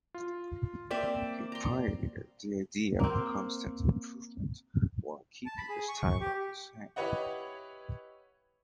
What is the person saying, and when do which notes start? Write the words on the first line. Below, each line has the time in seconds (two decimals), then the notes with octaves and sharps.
He pioneered the idea of constant improvement while keeping the styling the same.
0.14 F4
0.91 A#3 C4 D5 E5
1.52 A#5 C6
2.99 A#3 C4
5.46 A5
5.57 B5
5.69 G#4
5.89 C#6
6.02 C#6
6.20 G4
6.96 E4 G4 B4 C#5 D#5 F#5